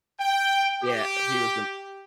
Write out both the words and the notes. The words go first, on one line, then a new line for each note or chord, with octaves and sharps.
Yeah, he was the m
G5
G4